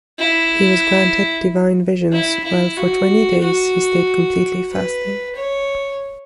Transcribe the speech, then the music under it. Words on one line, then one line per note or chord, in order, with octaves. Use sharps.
He was granted divine visions, while for twenty days he stayed completely fasting.
E4
E4
E4
F#4
F#4
B4
C#5